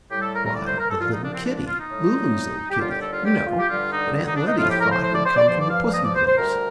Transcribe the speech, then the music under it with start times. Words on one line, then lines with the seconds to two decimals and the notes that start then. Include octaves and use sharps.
Why the little kittie; Lulu's little kittie, you know, that Aunt Lettie thought had come from the pussy-willows.
0.11 A2 G3 G4
0.22 A4
0.34 A#4
0.45 A#4
0.55 D5
0.67 C5
0.78 A#4
0.90 A4
1.01 C2 A#2 F3 F4
1.12 D#4
1.24 D4
1.34 C4
1.45 D4
1.56 D4
1.67 F4
1.79 D#4
1.90 A2 G3
2.70 G4
2.80 D#2 D3 G3 F4
2.90 G4
3.02 A4
3.13 F4
3.25 G4
3.47 F4
3.59 G4
3.69 G2 D3 G3 F4
3.92 D#4
4.26 D#4
4.36 D4
4.47 D#4
4.58 A2 F3 F4
4.70 G4
4.81 A#4
4.92 C5
5.03 C5
5.15 D5
5.26 C5
5.37 D5
5.48 G2 F3 C5
5.60 D5
5.70 F5
5.82 F5
5.93 D#5
6.04 D5
6.15 C5
6.27 C5
6.38 D2 C3 G3 A#4